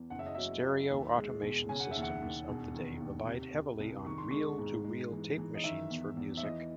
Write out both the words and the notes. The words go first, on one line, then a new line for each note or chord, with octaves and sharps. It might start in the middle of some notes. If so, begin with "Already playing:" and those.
Stereo automation systems of the day relied heavily on reel-to-reel tape machines for music.
Already playing: E2
F#1 F#5
E5
D#5
F#3 E5
F#3
D#2
G#3
E1
C#3 G#5
F#5
D#2 E5
F#5
D#2
E1
D#3
D#2
C3
C3
C2
D#3 C#6
C6
G#3 C#6
G#2
G#3
E3
E3
D#5
D#3 E5
E2
E2
E5
E3 D#5